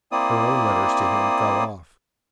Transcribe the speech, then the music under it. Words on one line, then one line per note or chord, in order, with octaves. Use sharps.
Her own letters to him fell off.
A#3 C4 E4 D5 D#6